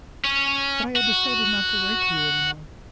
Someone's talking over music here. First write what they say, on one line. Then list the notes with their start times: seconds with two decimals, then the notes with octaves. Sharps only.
But I had decided not to write to you any more.
0.24 C#4
0.96 F#4